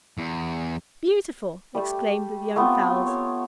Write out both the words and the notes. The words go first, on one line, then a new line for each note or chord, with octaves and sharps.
"Beautiful!" exclaimed the young fowls.
E2
G3 A3 G4
A3 B3 C4 F4
C#5